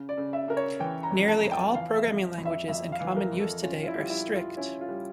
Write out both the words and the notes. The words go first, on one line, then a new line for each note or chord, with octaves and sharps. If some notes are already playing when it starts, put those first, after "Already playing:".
Nearly all programming languages in common use today are strict.
Already playing: C#3
D5
C#3
E5
C#3 A#4
C#5
E3 G5
A#5
F2
A5
F2
G5
E3 F5
E5
F2
F2
E5
F2 E5
F5
E3
A#4
F2
A4
C#4 F4
F4
E4
G3
F4
E4
G3
F4
C#4 E4
F4
G3